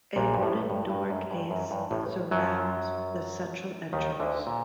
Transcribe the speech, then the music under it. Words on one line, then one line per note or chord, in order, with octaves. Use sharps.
A wooden door case surrounds the central entrance.
A#1 A#2
G2
A1 A2
G2
G2
F#2
G2
F#2
G2
A1 A2
F#2 F#3
D#2 D#3
D2 D3
A#2